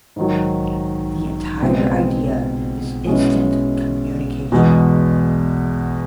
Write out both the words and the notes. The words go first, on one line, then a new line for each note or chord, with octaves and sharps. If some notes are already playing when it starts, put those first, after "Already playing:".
The entire idea is instant communication.
G#2 D#3 F#3
C#2 B2 G#3 C4
B2 G#3 C#4 E4
E2 B2 G#3